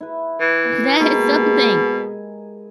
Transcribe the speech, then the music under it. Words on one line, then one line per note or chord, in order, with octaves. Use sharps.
that is something.
E4 B4
E3
B2 G#3 A#3 G4
G#4 B5